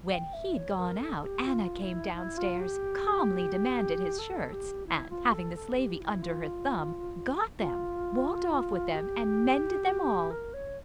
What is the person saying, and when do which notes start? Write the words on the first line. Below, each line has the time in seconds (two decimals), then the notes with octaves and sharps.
When he'd gone out, Anna came downstairs, calmly demanded his shirts, and, having the slavey under her thumb, got them, walked off with them, and mended them all.
0.11 G5
0.33 E5
0.56 C#5
0.79 A#4
1.01 A4
1.15 A4
1.24 G4
1.47 F4
1.81 E4
2.15 E4
2.37 F4
2.60 G4
4.19 A4
4.52 G4
4.86 E4
5.10 F4
5.32 A4
5.55 A4
5.78 G4
6.00 E4
6.23 F4
7.59 F4
8.95 G4
10.30 A#4
10.53 C#5